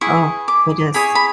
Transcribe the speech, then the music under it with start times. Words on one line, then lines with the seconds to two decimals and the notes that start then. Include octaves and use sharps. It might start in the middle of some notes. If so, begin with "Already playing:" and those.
Oh, it is.
0.01 E4 G#4 B4 C#6
0.48 D6
0.94 E4 G#4 C#5 B5
1.15 B5